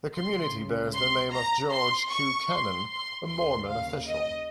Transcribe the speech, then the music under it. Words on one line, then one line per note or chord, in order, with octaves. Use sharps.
The community bears the name of George Q. Cannon, a Mormon official.
C#2 C#3 C6
C6
A#5
C6
C#6
C6
C6
D#2 C#3 C6
F5
D#5